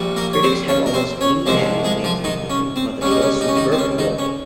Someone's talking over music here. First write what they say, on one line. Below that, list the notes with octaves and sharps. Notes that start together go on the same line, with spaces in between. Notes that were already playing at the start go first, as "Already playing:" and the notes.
Critics have almost unanimously agreed with him about the tale's superb quality.
Already playing: A#1 A#2 G3
A#3 A#4
C#5
C4 C5
C#4 C#5
A#4
C4 C5
C#4 C#5
C2 C3 F3 G#3 C4 C5
G#3 G#4
F3 F4
D#3 D#4
C#4
C4
C#2 C#3 G3 C#4
D#4
C#4
D#4
C#4
D#3 D#4
C4
C#4
D#3 D#4
C#4